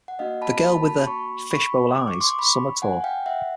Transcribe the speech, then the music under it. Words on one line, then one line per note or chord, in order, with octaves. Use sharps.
"The Girl with the...Fishbowl Eyes" Summer Tour.
F#5
A#3 D4 F#4 D#5 F5
A5 B5
A5 B5
A5 B5
B5 C#6
B5 C#6
D6
C#6
C6 D6
B5 C#6
F#5 G#5
F5 G5
E5 F#5